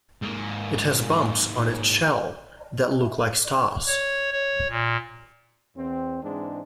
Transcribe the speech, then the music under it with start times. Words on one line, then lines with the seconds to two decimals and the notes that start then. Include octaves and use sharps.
It has bumps on its shell that look like stars.
0.22 G#2 A#3
3.87 C#5
4.32 C#5
4.69 A#2
5.76 E2 C4
6.22 G#2 E3 G#3 C4 D4